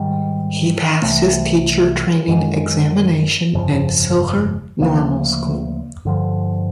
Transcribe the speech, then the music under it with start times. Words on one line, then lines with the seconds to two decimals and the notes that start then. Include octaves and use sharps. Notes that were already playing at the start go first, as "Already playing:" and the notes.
He passed his teacher training examination in Silchar Normal School.
Already playing: G#2 D#3 G3
1.02 C2 C3 E3 A3
2.28 F#2 D#3 G#3
3.54 G1 F2 C#3 F3
4.79 D2 C#3 F3 A#3
6.05 G2 D3 F3